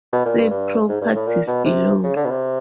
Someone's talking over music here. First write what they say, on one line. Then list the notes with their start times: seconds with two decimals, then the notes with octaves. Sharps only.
See Properties below.
0.13 B2
0.25 A#2
0.38 G2
0.51 G2
0.89 G#2
1.01 G2
1.15 A2
1.27 A#2
1.47 B2
1.65 C3
2.04 C#3
2.16 D3
2.25 B2
2.30 C3